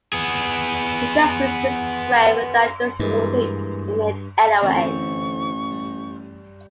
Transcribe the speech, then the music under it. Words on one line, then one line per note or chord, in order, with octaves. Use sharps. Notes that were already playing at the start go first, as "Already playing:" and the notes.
He transmits this prayer without distorting it in any way.
B3 G#4
G2 E3 G#3 A#3
A1 D3 E3 C4 C#6
G3